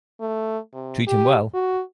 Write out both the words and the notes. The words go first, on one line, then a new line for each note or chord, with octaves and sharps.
Treat him well!
A3
C3
G4
F#4